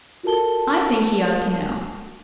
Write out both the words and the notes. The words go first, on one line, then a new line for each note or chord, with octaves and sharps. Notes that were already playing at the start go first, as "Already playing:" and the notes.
I think he ought to know.
F4 F#4 A4 A#4 A5 G7